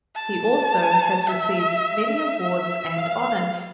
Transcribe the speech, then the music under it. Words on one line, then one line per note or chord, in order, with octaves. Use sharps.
He also has received many awards and honors.
A5
E5
E5
F5